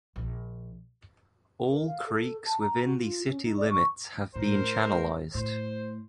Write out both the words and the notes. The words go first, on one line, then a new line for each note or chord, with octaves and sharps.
All creeks within the city limits have been channelized.
A#1
A#4
F5
A4
A5
A#5
F#4
F4
C#4
D#4
D5
C#6
A2 A#4 C5
A2 C5